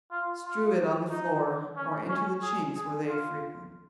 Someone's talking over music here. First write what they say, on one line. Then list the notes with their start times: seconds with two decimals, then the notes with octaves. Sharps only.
Strew it on the floor, or into the chinks where they frequent.
0.11 F4
0.44 F4
1.10 D#4
1.77 C#4
2.09 C#4
2.42 G#4
2.75 G#4
3.08 F4